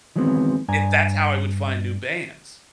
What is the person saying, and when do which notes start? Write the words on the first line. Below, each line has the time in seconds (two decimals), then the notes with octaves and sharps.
It that's how I would find new bands.
0.16 D#3 E3 F#3 G#3 B3 C4
0.68 G2 D4 G#5 A#5